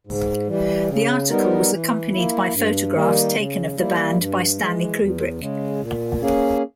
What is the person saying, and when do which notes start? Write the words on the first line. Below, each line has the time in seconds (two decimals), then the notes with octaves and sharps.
The article was accompanied by photographs taken of the band by Stanley Kubrick.
0.07 G#2
0.48 E3 G3
0.89 C#3
1.30 G3 B3 D#4 A#4
1.71 E3
2.12 A#3 E4
2.53 G2
2.94 D#3 G3 A#3 D#4
3.35 C#3
3.76 G3 A#3 E4
4.17 G2
4.58 E3 G#3
4.99 E2
5.40 C#3 G#3
5.81 A#2
6.21 A#3 C#4 G#4